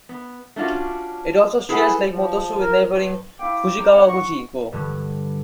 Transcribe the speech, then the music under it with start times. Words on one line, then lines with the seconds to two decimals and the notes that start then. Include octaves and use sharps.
It also shares Lake Motosu with neighbouring Fujikawaguchiko.
0.09 B3
0.56 A3 C#4 D4 F4 F#4
1.69 E4 G#4 A4 B4 F#5 G#5
2.09 F3
2.58 A#4
2.87 G2
3.39 E4 F5 G5 D6
3.77 D#4 G4 A#5
3.94 D#4 C#5 F#5
4.09 D#5 F#5 C#6
4.73 G2 D3